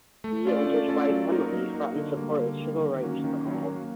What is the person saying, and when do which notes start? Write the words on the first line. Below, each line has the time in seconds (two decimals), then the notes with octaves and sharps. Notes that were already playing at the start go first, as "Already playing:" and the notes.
He and his wife Emily fought in support of civil rights for all.
0.24 A3
0.45 C#4 F4 A4 D5
0.67 A3
0.88 C#4 F4 A4 D5
1.10 F#3
1.32 A#3 D#4 F#4 A#4
1.53 F#3
1.74 A#3 D#4 F#4 A#4
1.96 D3
2.17 G3 A#3
2.39 D3
2.60 G3 A#3
2.81 D#3
3.02 F#3 A#3 C#4 F#4
3.24 D#3
3.46 F#3 A#3 C#4 F#4
3.67 A#3